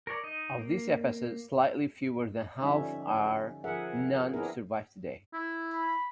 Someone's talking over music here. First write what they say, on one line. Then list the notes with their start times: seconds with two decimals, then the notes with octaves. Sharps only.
Of these episodes, slightly fewer than half are known to survive today.
0.07 A#4 C#5 D5
0.24 D#4 D#5
0.58 A#3
2.61 D3 F3 G3 C#4 D#4 E5
3.64 F3 G#4 A#4 E5 F#5
4.34 B3 C4 D4 E4 G#4 A#4
5.33 E4
5.74 B5